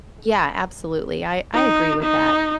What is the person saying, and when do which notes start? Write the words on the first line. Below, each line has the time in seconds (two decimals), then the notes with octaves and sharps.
Yeah, absolutely. I I agree with that.
1.55 D#4
2.03 D#4